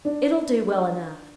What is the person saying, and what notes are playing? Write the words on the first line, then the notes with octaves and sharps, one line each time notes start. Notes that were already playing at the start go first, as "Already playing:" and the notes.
'It'll do well enough.
D4